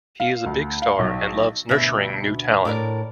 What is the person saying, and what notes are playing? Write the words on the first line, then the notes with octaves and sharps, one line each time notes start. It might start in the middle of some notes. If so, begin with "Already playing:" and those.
He is a big star and loves nurturing new talent.
F5
D2
F5
B1
D2 B2 E5
A2 A#4 D5